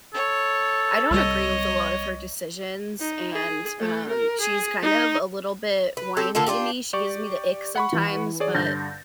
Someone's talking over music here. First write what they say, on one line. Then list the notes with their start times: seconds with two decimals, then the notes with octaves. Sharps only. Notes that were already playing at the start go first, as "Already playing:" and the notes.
I don't agree with a lot of her decisions, and, um, she's kind of a little bit whiny to me. She gives me the ick sometimes, but,
0.14 A4 C#5
1.11 C2 G3 C#5 D#5
3.00 D#4
3.32 G#4
3.79 A3
4.09 A#4
4.40 G#4
4.82 D#4
5.97 B4
6.17 C4 G4 A4
6.35 D3 A#3 F4 A4
6.47 D4 F4 G4 A4
6.93 G4 D5 C#6
7.75 F#5 B5 C#6
7.93 E3
8.40 G#4 C#5 D5
8.55 G2 D3 G6 A6 A#6